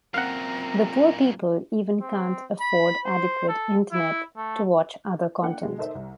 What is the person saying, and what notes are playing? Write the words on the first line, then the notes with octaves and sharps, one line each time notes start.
The poor people even can’t afford adequate internet to watch other content.
F#2 A#2 C4 A#4 F5 F#5
C4
B5
C5
A4
E4
A3
A#3 D4 D5 F#5 G5
B2 D3 G3 G#3
D#4 A4 A#4 C5 D5 E5
C2